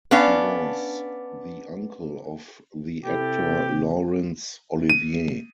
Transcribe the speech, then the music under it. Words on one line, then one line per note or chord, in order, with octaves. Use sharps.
He was the uncle of the actor Laurence Olivier.
B3 C#4 D4 F5
C3 E4 G4 A4
D#7